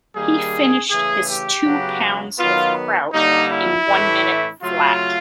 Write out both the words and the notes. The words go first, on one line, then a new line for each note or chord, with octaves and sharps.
He finished his two pounds of kraut in one minute flat.
D#3 G3 A#3 G#4
C#3 E3 A3 G#4
G4
C#3 F#3 B3
D#3 F#3 B3 F4
D3 G3 A#3 D#4
E4
A2 E3 A3
C#3 F#3 A3 F4